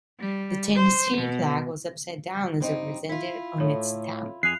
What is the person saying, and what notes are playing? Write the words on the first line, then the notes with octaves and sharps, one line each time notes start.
The Tennessee flag was upside down as represented on its stamp.
G3
C5
B2
G2 C4 D#4
E4 F4 B6
A2 A4 C#5
F2 G#4 F#6 C7 F7